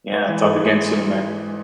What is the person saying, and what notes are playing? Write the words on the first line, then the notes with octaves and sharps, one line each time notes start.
Yeah, talk again soon, man.
G#3 B4
E3 B4
G#2 A4
G#3 G#4